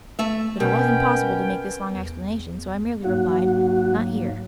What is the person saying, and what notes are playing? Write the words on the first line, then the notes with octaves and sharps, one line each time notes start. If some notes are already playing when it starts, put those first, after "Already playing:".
But it was impossible to make this long explanation, so I merely replied: "Not here."
A3 E5
B2 B3 C#4 A#4 G5
E2
G#2 F#3 A#3 F#4